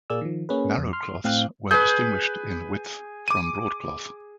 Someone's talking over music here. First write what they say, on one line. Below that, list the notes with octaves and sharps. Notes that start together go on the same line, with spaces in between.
Narrow cloths were distinguished in width from Broadcloth.
A#2 A#3 G#4 D5 E6
D#3 F3
A#3 C#4 G#4 B4
F2
C6 F6
A2 C4 F5 G5 F#6
G#4 B4 G6
D6 D#7